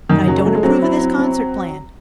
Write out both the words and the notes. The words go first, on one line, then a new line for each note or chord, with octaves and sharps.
But I don't approve of this concert plan.
F#2 D#3
C#3 F#3
G#3
F#3 A3
G#3
F#3 C4
E4
C4
C4